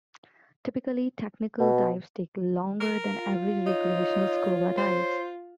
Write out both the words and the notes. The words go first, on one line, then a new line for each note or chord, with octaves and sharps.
Typically, technical dives take longer than average recreational scuba dives.
B2
A#4
F4
D#4 C#5
C5